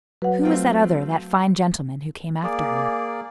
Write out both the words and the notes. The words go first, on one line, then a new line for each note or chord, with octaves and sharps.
"Who was that other, that fine gentleman, who came after her?"
F#3 B4 F#5
A3 C4 F4
A#3 G#4 D5